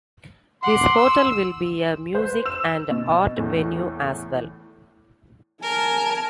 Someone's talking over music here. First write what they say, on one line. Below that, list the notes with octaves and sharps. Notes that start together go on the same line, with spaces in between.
This hotel will be a music and art venue as well.
F#5 C6 D6
E6
B4 C5
E6 E7
B2
E2 A2
A#4 G#5 A5